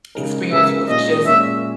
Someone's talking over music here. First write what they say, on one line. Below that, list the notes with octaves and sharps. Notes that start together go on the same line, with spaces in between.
experience with just
C#3 G#3 D#4 A#4
C#3 G#3 D#4 A#4 E5
A#2 G#3 C#4 D#5
A#2 G#3 C#4 E5